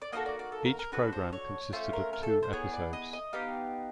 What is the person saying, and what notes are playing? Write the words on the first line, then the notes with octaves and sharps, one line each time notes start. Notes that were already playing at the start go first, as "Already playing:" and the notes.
Each program consisted of two episodes.
D5
A#3 D#4 F#4 A4 D#5
D5
D5
A4
A#4
A#4
D4 F#4 A4 B4
C5
C#5
A3 C#4 F4 C5
A#4
A#4
A4
C5
B3 E4 G#4 C#5
D5
D#5
D#5
B3 D#4 G4 F5